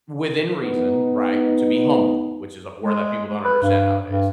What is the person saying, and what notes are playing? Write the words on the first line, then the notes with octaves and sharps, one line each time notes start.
within reason, right, to be humble, which is a word that people don't understand nowadays.
B3 D#4
G#3
B4
G2
G2